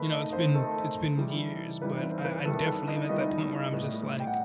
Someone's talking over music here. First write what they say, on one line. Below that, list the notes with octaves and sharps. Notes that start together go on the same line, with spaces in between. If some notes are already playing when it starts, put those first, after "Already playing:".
You know, it's been it's been years, but I I definitely am at that point where I'm just, like,
Already playing: D#3 A3 D#4 B4 B5
D#4 D#5
C4 C5
D#3 A3 D#4 A4
E3 G3 D#4
E3 G3 D#4 B4
C4 C5
B4
D#3 G3 B3 E4 A4
B4
D#4 D#5
D#3 G3 B3 D#4 E4 D#5
A2 G3 B3
G5
F#5